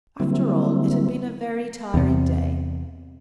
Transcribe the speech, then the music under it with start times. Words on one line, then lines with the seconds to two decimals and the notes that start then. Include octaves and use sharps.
After all, it had been a very tiring day.
0.20 D3 F#3 G3 A#3 C4 E4
1.94 E2 C3